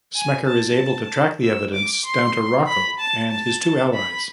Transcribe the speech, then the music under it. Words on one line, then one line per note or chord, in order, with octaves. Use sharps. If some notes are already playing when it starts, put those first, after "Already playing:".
Smecker is able to track the evidence down to Rocco and his two allies.
G#5
A5
E6
D6
C6
B5
A5
A5
B5